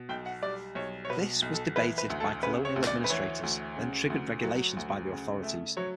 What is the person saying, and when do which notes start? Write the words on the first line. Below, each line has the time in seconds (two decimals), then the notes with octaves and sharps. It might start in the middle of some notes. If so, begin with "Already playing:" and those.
This was debated by colonial administrators, then triggered regulations by the authorities.
Already playing: B2
0.09 B1 G5
0.26 F#5
0.42 G3 D5
0.75 B1 C#5
1.05 C#5
1.09 B2 B4
1.42 B1
1.54 A4
1.76 E3 B4
1.98 B4
2.10 D2
2.20 A4
2.43 C#3 B4
2.65 C#5
2.76 D2
2.87 D5
3.04 B4
3.10 E3 C#5
3.43 D2
3.76 C#3
4.10 D2
4.43 F#3
4.77 D2
5.10 C#3
5.43 A3
5.77 F#3 C#5